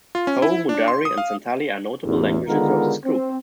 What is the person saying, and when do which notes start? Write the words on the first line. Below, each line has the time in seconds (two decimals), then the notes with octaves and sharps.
Ho, Mundari, and Santali are notable languages of this group.
0.15 F4
0.27 C#4
0.42 E4
0.69 D4
0.88 C6
1.05 D#6
1.18 F5
2.05 A1 E2
2.47 D3 D#3 G#3 B3 F4 A#4
3.05 C4